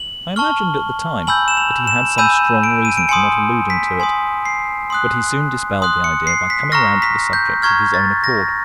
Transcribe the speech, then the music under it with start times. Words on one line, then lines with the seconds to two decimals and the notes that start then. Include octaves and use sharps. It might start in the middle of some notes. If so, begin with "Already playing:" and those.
I imagined at the time that he had some strong reason for not alluding to it, but he soon dispelled the idea by coming round to the subject of his own accord.
Already playing: F#7
0.36 A5 C#6 F6 G7
1.27 G#5 B5 E6 G6 F#7
1.48 E7
1.57 F7
1.87 E7
2.18 G#5 B5 E6 G6 D#7
2.63 D7
2.85 D#7
2.97 D7
3.09 G#5 C6 D#6 C#7
3.70 B6
4.00 G#5 C6 D#6
4.45 C7
4.90 C6 D#6 F#6
5.82 C6 D#6 F#6
6.04 C#7
6.27 C7
6.50 B6
6.72 A#5 C#6 F6 A#6
7.02 B6
7.33 G6
7.62 A#5 C#6 F6 G#6
7.94 A6
8.24 A#6